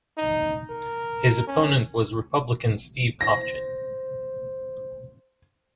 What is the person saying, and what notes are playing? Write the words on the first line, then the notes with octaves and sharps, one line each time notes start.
His opponent was Republican Steve Cofchin.
D#4
A#4
C#4
C5 A#6